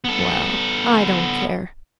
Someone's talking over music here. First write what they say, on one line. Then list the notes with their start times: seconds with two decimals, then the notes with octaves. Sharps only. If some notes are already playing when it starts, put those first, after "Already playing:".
Well, I don't care.
0.04 B3 A4